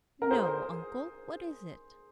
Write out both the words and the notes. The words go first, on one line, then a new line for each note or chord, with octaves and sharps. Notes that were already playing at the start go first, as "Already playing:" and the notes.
"No, uncle, what is it?"
A#4
G#4 C5